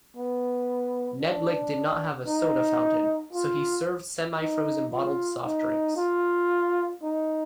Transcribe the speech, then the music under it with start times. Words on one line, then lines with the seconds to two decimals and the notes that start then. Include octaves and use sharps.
Knedlik did not have a soda fountain, so he served semi-frozen bottled soft drinks.
0.17 B3
1.22 D4
2.28 D#4
3.33 F4
4.38 D#4
4.91 F4
5.45 D#4
5.97 F4
7.03 D#4